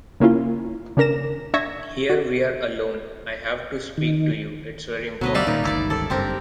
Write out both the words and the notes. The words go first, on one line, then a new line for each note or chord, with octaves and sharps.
Here we are alone, I have to speak to you; it’s very important.
C#3 A#3 C#4 E4 F4
C#3 D4 A#4 A#6 E7
D4 E5 C#6 G#6 A#6
F#4
D#3
D2 B2 F#3 B4 D#5
G3 D5 E5 F5
A#2 D#3 D#4
G1 C#2 D#3 E4 D5
A4 D5
F#1 G2 C4 G4 A#4